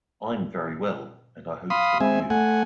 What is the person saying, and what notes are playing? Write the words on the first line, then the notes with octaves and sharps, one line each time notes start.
I’m very well, and I hope so are you.
F5 B5 C6 D#6
G#3 C4 E5 G#5
A3 F#5 G#5